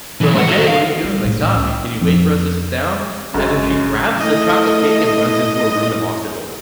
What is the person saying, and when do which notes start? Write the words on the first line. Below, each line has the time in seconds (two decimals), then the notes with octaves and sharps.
we're like, "Hey, what are you doing? Like, stop i can you wait for us to sit down?" And then she grabs the chocolate cake and runs into her room and locks the door.
0.21 B1 E3
0.35 G2 F#5
0.48 F#4 C5
0.67 F5
1.04 G3
1.24 A2
1.42 A1
1.55 C#2
2.01 F2
3.34 G#1 F#2 C#3 G#3 C#4
4.21 A3 E4 D#5